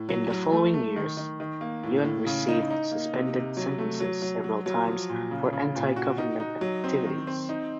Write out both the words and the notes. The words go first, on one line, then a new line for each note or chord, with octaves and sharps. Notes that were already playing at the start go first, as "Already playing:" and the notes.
In the following years, Yun received suspended sentences several times for anti-government activities.
Already playing: A2
F#3
F#3
A3
A3
D#3
D#3
D#3
A#3
A2
A2
C#3
D#4
D#4
A#3
C3
C3
F#3
A3
F#3
F#3
F#3
F#3
F3
A#2
C#3
C#3
A#2
F#4
D#4
D#4
F#3
C4
D#3
C4
D#4